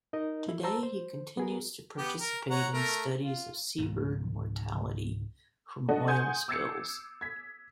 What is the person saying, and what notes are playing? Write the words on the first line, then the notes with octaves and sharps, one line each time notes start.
Today he continues to participate in studies of seabird mortality from oil spills.
D#4 A#4 D#5
E4
C5 A5 A#5 E6
C5
B3 G#4 A#4
B3 G4
A#4
C#5 F#5 A#5
A3 A#4
F4
C#2 G#2 B2 A3
D4 F#4 A4 D5 D#5
F#5 G#5 C6 D#6 G6
D6 E6 G#6 A6 C7 C#7
G#6 B6